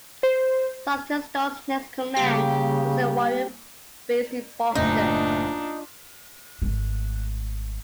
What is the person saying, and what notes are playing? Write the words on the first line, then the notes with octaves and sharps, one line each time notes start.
Saltonstall's next command was the "Warren", based in Boston.
C5
C#3 G3 A#3 G4 F5
F#1 A2 D4 D#4 F4
G#1 A3